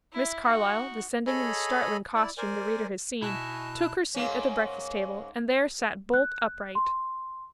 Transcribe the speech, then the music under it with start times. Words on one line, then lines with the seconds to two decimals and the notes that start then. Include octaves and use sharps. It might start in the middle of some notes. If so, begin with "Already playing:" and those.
Miss Carlyle descended in the startling costume the reader has seen, took her seat at the breakfast-table, and there sat bolt upright.
0.13 E4
0.44 D#4 F#4
1.27 G#4 A4 C#5 D#5 G#5 B5
2.15 E4 D5
2.38 A#4 C5 D5 G#5
3.22 B2 D#4 E4 E5 G#5 A5 C#6 F#6
4.15 G#2 A#3 C#4
6.14 F#6
6.75 C6